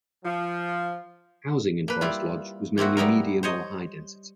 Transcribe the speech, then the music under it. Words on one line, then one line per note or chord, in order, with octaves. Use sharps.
Housing in Forest Lodge was mainly medium or high density.
F3
A#3 B4
G3 E4 F4
A#3 C4 E4 F#4
G3 B3 E4 A#4
C5 C#5 D#5